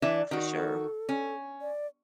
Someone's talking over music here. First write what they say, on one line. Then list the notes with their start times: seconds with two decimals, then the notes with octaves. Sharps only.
for sure.
0.02 E3 D4 D5 E5
0.31 D#3 F#4
0.55 A4
1.09 C#4
1.61 D5